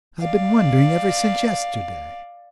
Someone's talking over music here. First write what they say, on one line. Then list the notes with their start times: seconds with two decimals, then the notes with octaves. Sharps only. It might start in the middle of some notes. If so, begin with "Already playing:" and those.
I've been wondering ever since yesterday.
0.19 D5 F5